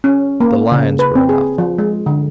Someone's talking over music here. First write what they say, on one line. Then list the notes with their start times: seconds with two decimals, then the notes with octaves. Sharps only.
But the lines were enough.
0.04 C#4
0.40 A#3
0.72 C#3
0.99 B4
1.15 C4
1.29 G#4
1.58 F3
1.78 G#3
2.06 D3